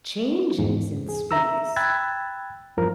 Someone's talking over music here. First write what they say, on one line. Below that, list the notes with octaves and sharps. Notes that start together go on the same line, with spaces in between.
changes in space.
E2 G#2
G#4
E5 A#5 E6
G5 B5 E6 F#6 G#6 A6
E2 G2 F3 A#4